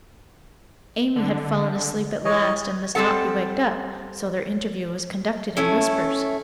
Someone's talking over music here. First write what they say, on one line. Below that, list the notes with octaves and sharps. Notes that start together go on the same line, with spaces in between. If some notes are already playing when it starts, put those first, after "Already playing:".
Amy had fallen asleep at last and must not be waked up, so their interview was conducted in whispers.
D3
E3 C#5 D#5
G3 C4 D#4 G4 A4 F#5
A3 C#4 E4